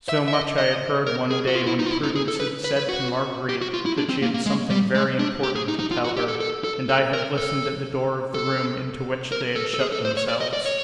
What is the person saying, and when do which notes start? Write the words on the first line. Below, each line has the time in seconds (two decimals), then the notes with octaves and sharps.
So much I had heard one day when Prudence had said to Marguerite that she had something very important to tell her, and I had listened at the door of the room into which they had shut themselves.
0.09 E5
0.28 E5
0.33 D#5
0.58 D#5
1.07 A#4
1.31 G#4
1.47 F#4
1.55 F4
1.67 E4
1.79 D#4
1.86 F4
1.91 E4
2.03 D#4
2.15 G#4
2.28 A4
2.40 B4
2.64 B4
2.76 B4
2.89 F#4
3.49 G4
3.61 F#4
3.74 F4
3.86 E4
3.97 D4
4.09 C4
4.22 A#3
4.34 A#3
4.46 G#3
4.70 G3
4.95 G#3
5.19 D4
5.43 G4
5.56 G#4
5.68 D#4
5.79 D#4
5.92 F4
6.04 F#4
6.17 G4
6.28 A4
6.40 A4
6.64 A4
6.89 A4
7.13 A#4
7.38 A4
8.34 A4
9.32 A#4
9.56 A4
9.74 A4
9.81 G#4
9.92 A4
10.05 C5
10.17 C#5
10.29 D5
10.41 D#5
10.53 D5
10.65 C#5